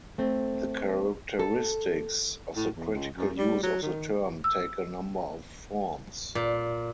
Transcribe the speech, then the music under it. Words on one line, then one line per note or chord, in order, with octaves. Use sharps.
The characteristics of the critical use of the term take a number of forms.
A3 C4
A4
A2
E2
C#2
F#2
G3
F#3
D#3
E6
A#2